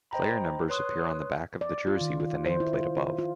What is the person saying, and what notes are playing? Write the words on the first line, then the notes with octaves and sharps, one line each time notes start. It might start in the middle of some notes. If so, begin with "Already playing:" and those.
Player numbers appear on the back of the jersey with a nameplate above.
C5 D#5 G5 A#5 B5
B4 C#5 C6 D#6 F#6
D5
F4
D#3
F4
C5
E4
F4
F4
F4